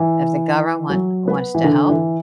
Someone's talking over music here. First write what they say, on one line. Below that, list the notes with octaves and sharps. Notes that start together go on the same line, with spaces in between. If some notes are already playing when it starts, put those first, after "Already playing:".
If the govern want wants to help,
Already playing: E3
F#3
B3
E3
D3
E3